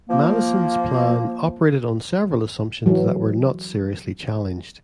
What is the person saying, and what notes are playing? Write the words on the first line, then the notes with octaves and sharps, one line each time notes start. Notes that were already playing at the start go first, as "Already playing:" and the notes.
Madison's plan operated on several assumptions that were not seriously challenged.
F3 A#3
E3 F#3